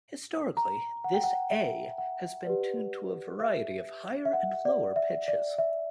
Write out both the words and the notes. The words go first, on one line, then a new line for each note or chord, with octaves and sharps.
Historically, this A has been tuned to a variety of higher and lower pitches.
A#5
F#5
G5
F#5
E5
F#5
G4 B4 D5
E5
E5
F#5
D5
E5
D5
E5